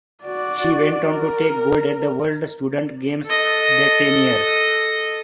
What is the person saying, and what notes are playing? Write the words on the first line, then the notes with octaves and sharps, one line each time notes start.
She went on to take gold at the World Student Games that same year.
F#4 D5
A#4
A4 D#5